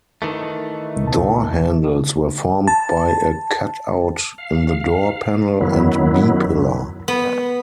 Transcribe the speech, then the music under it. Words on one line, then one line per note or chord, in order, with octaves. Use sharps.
Door handles were formed by a cut-out in the door panel and B-pillar.
D#3 E3 A3
C#2 B2 A5
A5
F5
F#2 D#3 F#3 B3 E4
B3